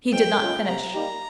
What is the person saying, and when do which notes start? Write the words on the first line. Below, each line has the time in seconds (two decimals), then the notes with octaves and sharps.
He did not finish.
0.12 F2 G5
0.40 C#3 G#3 C#4 F4
0.67 C3 A#5
0.94 G3 A#3 D#4 G4